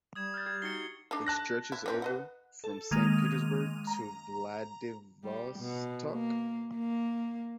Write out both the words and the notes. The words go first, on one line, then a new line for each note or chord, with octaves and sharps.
It stretches over from Saint Petersburg to Vladivostok.
G3 D#6 G#6 E7
F6 G6 A6
G4 G#6
D#4 F#4 C7 C#7 G7
D4 D#4 A4
A5 F#6 A#6
E4
E3 C4 C#4
B4 D#5 F#5
A4
D#3 G#3 A#3 D#7 F7
A#5
G3
B2
A#3
A#3